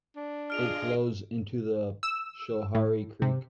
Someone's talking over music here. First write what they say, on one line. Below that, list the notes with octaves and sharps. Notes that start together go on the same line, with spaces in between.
It flows into the Schoharie Creek.
D4
F4 G#4 D#5 F6 D7 F7
E6
A2
C3